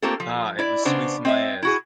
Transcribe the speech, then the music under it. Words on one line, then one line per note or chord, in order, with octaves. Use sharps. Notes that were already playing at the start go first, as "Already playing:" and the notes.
Ah, it was sweet in my ears.
A3 A#3 C4 F4 G4 A4
F3
E4 D5
C#3 B3 D4 C5
C4 D#5 E5
E4 F#4 G#4